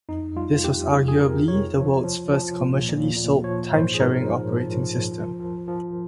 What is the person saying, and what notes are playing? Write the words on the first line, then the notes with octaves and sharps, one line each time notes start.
This was arguably the world's first commercially sold time-sharing operating system.
F2 D#4
G3 F4
F2 G4
F2 G#4
G#4
C3 A#4
C3 C#5
F3
F3
F3
A#2
A#2
A#2
F3 C#5
G#2 C5
G#4
G#2 A#4
F3
F3
F3
F3
F3
F3